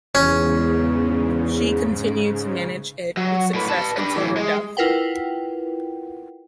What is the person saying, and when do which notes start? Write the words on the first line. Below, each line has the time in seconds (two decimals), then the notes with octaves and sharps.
She continued to manage it with success until her death.
0.15 E2 G#2 C#3 C#4
3.17 F#3
3.54 A2 B4
3.68 B4 A5
3.97 D4 B4
4.16 A2 E3
4.37 G#3
4.77 E4 F4 A#4 B4 F#5 G5